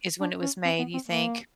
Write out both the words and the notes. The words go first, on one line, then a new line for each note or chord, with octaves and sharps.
i is when it was made, you think?
D4
C#4
C4
B3
C4
A#3